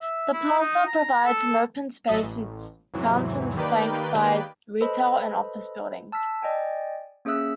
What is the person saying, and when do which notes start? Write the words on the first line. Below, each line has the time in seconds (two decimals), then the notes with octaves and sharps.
The plaza provides an open space with fountains flanked by retail and office buildings.
0.01 E5
0.33 E4
0.59 D#4
0.87 A#5
1.25 A4
2.07 A1 F#3 D#5 E5 A6
2.23 A1
2.94 E2 G#2 C3 E3 F#3
3.56 D#3 A#3 G4 B4 D5 G5
4.81 A4 B4 C5 D#5 B5
6.12 A5 E6 F6 B6
6.42 D5 D#5 G5 G#5
7.25 A#3 C#4 G#4 E5 E6 F#6